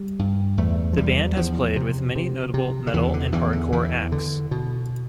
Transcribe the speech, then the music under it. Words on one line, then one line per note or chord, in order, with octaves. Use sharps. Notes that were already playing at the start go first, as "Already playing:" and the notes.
The band has played with many notable Metal and Hardcore acts.
Already playing: G3
G2
E2 A3
F3
E2 G3
E2 F3
C3
C3
C3
D3
E2 E3
D3
E2 E3
D3
E2 E3
D3
B2